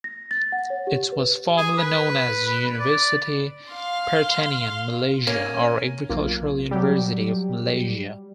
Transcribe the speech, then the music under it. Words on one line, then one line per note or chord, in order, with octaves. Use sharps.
It was formerly known as Universiti Pertanian Malaysia or Agricultural University of Malaysia.
A#6
A6
F#5
C#5
G4
B4
G#4
B4
D5
F5 C6
A#3 C#4
B1 A#3 F4
F#3 G3 G4